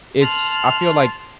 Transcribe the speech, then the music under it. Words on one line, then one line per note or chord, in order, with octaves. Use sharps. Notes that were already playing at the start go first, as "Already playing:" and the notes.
it's I feel like
A5 C6 F6 F#6